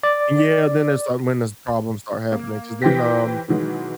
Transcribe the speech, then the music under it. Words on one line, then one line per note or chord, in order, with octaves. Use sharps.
and yeah, then that's, like, when the problems start happening 'cause then, um,
D5
A#3
E3 G4 C5 G5 A#6 B6
B2 D#3 E3 F#3 G#3